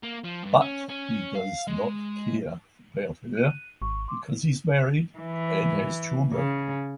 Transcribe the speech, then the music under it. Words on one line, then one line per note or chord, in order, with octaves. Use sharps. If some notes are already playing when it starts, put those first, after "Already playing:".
But he does not care about her because he is married and has children.
A#3
F3
G2
C#4
C#4
F5
G#3
F#6 D#7
G#1 C#6
C6 D6
E3
C#3